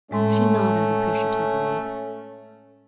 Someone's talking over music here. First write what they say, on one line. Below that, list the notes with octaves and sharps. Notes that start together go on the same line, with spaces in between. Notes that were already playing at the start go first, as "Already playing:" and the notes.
She nodded appreciatively.
A2 G#3 A3 C#4 C6